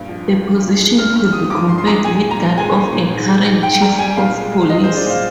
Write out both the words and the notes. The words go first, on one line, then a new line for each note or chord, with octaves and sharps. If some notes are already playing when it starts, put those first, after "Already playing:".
The position could be compared with that of a current Chief of police.
Already playing: G2 A#2
F3
G2
F3
G2
G#3
G2 F6
G2 F6
F3 D#6
G2 D6
G2 C6
C6
G2 A#5
A#2 G#5
A#2
A#5
A#2
G#3 G#5
A#2
A#2
G#2
G#2
G#2
G#2 G5
G3 A#5
G3 G#5
A#2 F5
G#3
G#3
G#3 D#5
G#3 C5
D5
A#2 F5